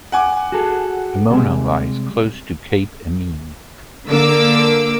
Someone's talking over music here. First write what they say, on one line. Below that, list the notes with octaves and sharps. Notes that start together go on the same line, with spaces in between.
Emona lies close to Cape Emine.
F#5 G#5 D6
F#4 G#4 A4
C3 G3 G#3
D3 A#3 D6 E6